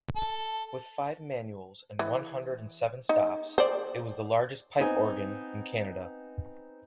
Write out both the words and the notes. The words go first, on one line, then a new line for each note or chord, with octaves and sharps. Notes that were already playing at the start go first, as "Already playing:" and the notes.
With five manuals and one-hundred-and-seven stops, it was the largest pipe organ in Canada.
A4
E3
D#4
C5 D5
B3 C4 D#4 G#5 D#6